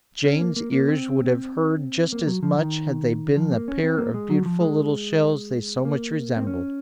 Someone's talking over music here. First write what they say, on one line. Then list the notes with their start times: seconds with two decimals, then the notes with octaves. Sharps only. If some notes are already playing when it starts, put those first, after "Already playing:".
But Jane's ears would have heard just as much had they been the pair of beautiful little shells they so much resembled.
0.25 C#4
0.41 A#3
0.56 A#3
0.72 A#3
0.88 C4
2.12 A#3
2.27 F#3
2.43 F3
2.58 D#3
3.36 F3
3.52 A#3
3.68 C#4
3.83 C4
3.98 A#3
4.14 G#3
4.30 F#3
4.46 F3
4.61 G#3
5.85 A#3
6.37 C4
6.47 C#4